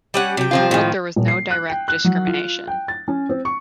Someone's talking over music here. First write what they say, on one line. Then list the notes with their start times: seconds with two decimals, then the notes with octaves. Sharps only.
They ruled there was no direct discrimination.
0.14 G3 C#4 F#5
0.37 C3 G5
0.51 F3 C4 F4
0.71 A2 D#3
1.16 D#1
1.28 C7
1.50 F#6
1.70 G5
1.88 F#6
2.04 F#3
2.27 F4
2.68 G5
2.88 A6
3.08 C#4
3.29 C4
3.45 C#6